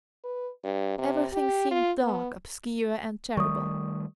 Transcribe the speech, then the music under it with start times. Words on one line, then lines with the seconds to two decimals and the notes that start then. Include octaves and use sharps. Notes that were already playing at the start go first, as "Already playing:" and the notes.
Everything seemed dark, obscure, and terrible.
0.24 B4
0.64 G2
0.98 C3
1.32 G4
1.71 F4
2.03 B3
3.37 D#3 G3 A3 C#6 D#6